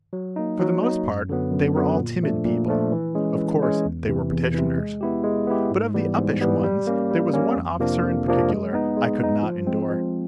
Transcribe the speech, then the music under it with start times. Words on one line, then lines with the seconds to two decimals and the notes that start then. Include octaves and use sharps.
For the most part they were all timid people--of course, they were petitioners. But of the uppish ones there was one officer in particular I could not endure.
0.13 F#3
0.36 A#3 D#4
0.59 F#3
0.83 A#3 D#4
1.06 F#2
1.29 D3 F#3 B3
1.52 F#2
1.76 D3 F#3 B3
1.99 A#2
2.22 F3 A3 D4
2.45 A#2
2.68 F3 A3 D4
2.92 E3
3.15 G#3 C#4
3.38 E3
3.62 G#3 C#4
3.85 E2
4.08 C3 E3
4.31 E2
4.54 C3 E3
4.78 G#3
5.01 B3 E4 G4
5.24 G#3
5.47 B3 E4 G4
5.71 G#2
5.94 E3 G3 B3
6.18 G#2
6.41 E3 G3 B3
6.64 G3
6.87 A#3 C#4
7.11 G3
7.34 A#3 C#4
7.56 F2
7.79 C3 F3 A#3 D4
8.03 F2
8.27 C3 F3 A#3 D4
8.49 G#3
8.73 B3 D#4
8.97 G#3
9.19 B3 D#4
9.43 F3
9.66 G#3 C4
9.90 F3